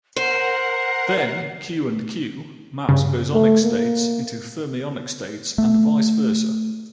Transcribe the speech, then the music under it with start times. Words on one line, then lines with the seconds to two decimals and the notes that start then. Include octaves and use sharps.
Then, "Q" and "Q" maps "bosonic" states into "fermionic" states and vice versa.
0.16 A#4 C5 F#5 C7
2.89 G2 C#3
3.34 A3
3.64 A#3
5.58 A3